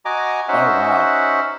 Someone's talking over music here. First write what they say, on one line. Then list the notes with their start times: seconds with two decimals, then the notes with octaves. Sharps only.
Oh, wow.
0.05 F#4 D#5 G#5 A#5 D6
0.48 C#4 D#4 F#4 C5 E5 F#5